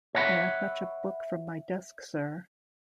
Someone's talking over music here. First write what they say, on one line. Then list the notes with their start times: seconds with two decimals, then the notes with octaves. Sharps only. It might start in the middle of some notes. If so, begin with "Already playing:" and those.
May I fetch a book from my desk, sir?
0.15 C#5 E5 F#5 G5 B5